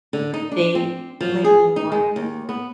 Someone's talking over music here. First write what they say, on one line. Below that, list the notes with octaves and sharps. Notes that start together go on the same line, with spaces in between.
m they they might be more
D3
D#4
D4
C4
F3
G#4
D#4
G#3
D#2
B3